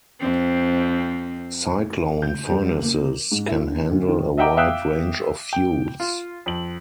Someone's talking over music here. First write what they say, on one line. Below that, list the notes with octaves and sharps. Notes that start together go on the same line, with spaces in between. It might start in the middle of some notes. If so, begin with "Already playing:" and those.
Cyclone Furnaces can handle a wide range of fuels.
F2 C4
G6
G3
A#3
G#2
E4
D3
D2
D#3
D#5 E5 F#5 G5 A#5 D6
E5 F5 G5 D#6 E6 F#6
G5
F4
F2 F#7